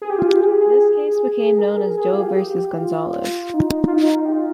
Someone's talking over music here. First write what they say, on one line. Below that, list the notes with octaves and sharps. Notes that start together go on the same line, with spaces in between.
This case became known as Doe versus Gonzales.
G#4
G4
F4
G4
G#4
G#4
A#4
G#4
G#4
F4
G4
F4
D#4
F4
D#4
G4
F4